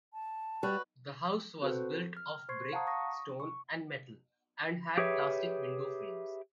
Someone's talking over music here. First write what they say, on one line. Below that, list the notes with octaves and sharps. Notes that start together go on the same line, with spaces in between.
The house was built of brick, stone and metal, and had plastic window frames.
A5
G3 F#4 B4
C4 F#4 A4 B4 C5
F6
C5 C6 C#6 G#6 C7
F5 F#5 A5 A#5 D#6
C#6 D#6 A#6
C#6
G4 G#4 B4 C#5 E5